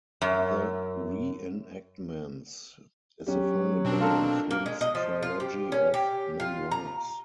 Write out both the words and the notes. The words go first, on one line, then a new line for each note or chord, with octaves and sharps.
"The Reenactments" is the final book in Flynn's trilogy of memoirs.
F#2
F#3 C#4 G4
B2 C4 D4
F4 A4 A#4
A#3
G#3
D#5
F3
F4
G4
C#4
G4
F4
A#5